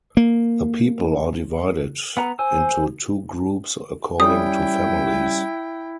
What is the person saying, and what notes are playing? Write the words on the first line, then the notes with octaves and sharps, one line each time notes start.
The people are divided into two groups according to families.
A#3
B3 F#5 A#5
C5 G#5 E6
G3 C#4 E4 G5 D#6